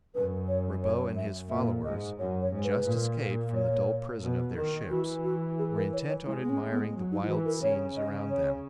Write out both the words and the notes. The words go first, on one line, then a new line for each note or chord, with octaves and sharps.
But Ribaut and his followers, just escaped from the dull prison of their ships, were intent on admiring the wild scenes around them.
F#2 B4
C#5
C#5
E5
A#2 E5
G#2 D#5
F#2 C#5
C#5
G#2
B4
A#2
C#5
B2
D#3
E3 F#4
F#4
G#4
A#4
C#5
C#5
G#3 E4
B3
C#4
B3
F#3
D#4
E4
E3 F#4
A#4
C#3 C#5
D#5
C#5